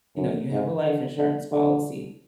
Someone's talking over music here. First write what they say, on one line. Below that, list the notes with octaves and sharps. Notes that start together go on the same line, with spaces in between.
you know, you have a life insurance policy,
F#2
G#2
D3
D3
D3